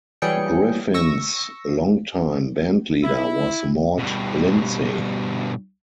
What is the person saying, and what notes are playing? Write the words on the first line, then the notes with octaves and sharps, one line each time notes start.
Griffin's longtime bandleader was Mort Lindsey.
E3 F#3 G3 G#4 G5 C#7
C#6 E6 A#6
E4
G2 B2